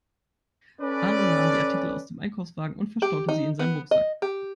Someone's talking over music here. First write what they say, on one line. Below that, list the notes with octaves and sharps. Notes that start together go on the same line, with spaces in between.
Arno nahm die Artikel aus dem Einkaufswagen und verstaute sie in seinem Rucksack.
C#4 A4 B4 D5
G4
D#4
B3
D#5
G4